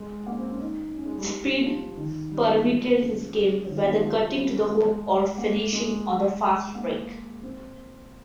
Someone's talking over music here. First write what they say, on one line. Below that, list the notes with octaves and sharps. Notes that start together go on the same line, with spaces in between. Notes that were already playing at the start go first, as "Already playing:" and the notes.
Speed permeated his game, whether cutting to the hoop or finishing on the fast-break.
Already playing: G#3
A#3
C4
C#4
D#4
C#4
G#3
G3
G3
F3
D#3
G3
F3
C#3
D#3
F3
A#3
G#3
F3
G3
G#3
A#3
G#3
A#3
C4